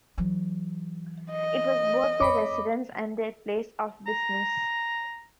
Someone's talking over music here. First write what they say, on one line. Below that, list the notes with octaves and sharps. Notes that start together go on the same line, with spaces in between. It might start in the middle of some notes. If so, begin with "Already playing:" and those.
It was both their residence and their place of business.
E3 F#3
D#5
F2 C#5 B5 D6
A#5